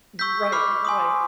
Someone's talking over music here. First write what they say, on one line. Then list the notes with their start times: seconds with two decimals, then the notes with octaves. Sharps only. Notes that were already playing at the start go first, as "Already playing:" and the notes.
Ye right, right.
0.19 C#6 E6 G6 B6
0.52 B5 D6 F6 C7
0.85 G#5 C6 D#6